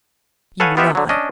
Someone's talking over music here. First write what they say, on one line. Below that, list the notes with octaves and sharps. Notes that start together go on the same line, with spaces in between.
"You lie!"
A4 B4 C#5 F5 F#5 G#5
B3 F4 G4 D#5 E5 F#5
D3 F#3
C#4 D4 D#5